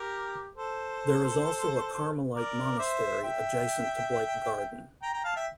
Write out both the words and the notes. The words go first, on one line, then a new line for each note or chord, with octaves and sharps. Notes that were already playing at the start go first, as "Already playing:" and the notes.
There is also a Carmelite monastery adjacent to Blake Garden.
Already playing: G4 A#4
A4 C5
A#4 D5
C5 E5
E5 G5
G5 A#5
G5 A#5
F5 A5
E5 G5